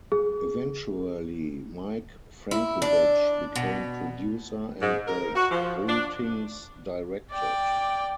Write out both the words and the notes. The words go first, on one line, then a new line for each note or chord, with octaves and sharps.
Eventually Mike Frankovich became producer and the Boultings directed.
G#4
E4
D4
B2
G#2
A#4
F#4
F3
D4
D5 G5